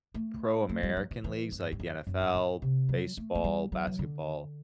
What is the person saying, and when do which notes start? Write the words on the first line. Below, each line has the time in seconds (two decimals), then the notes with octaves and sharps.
pro American leagues like the NFL, baseball, basketball,
0.14 A3
0.69 A3
0.83 G3
0.97 F#3
1.11 E3
1.24 E3
1.52 G2
1.72 G2
1.80 F#2
2.07 F#2
2.21 G2
2.34 A2
2.62 C3
2.89 F#3
3.17 A3
3.35 A3
3.44 G3
3.72 F#3
3.87 E3
3.99 D3